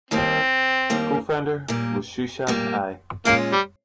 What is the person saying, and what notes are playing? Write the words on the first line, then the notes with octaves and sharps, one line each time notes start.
Co-founder was Xuexian Ai.
D#2 D#3 G3 A#3 C4
D#2 D#3 G3 A#3
A#2 G3 A#3
A#2 G3 A#3
A#2 G#3 A#3 C#4 F4
G3